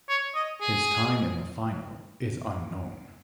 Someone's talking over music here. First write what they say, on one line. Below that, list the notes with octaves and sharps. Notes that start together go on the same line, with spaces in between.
His time in the final is unknown.
C#5
D#5
G#4